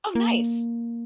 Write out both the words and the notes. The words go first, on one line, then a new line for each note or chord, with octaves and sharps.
Oh, nice.
A#3